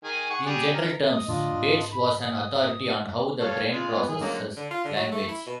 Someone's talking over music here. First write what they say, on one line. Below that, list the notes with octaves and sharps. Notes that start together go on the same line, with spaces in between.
In general terms, Bates was an authority on how the brain processes language.
D#3 G#4 G#5
G#4 F#5 C#6
G3 G#4 D5
A#4
D#5 D#6
A2 D3 F3 D4 F4 D#5
G#2
B5
D#6
A4 C#5 F5
G#3 F4
B3 B4
D#3 E3 G#4
D3 F#3 G#3 A#3 C#4
D3
F4
D3
F#3
A3
E4
B2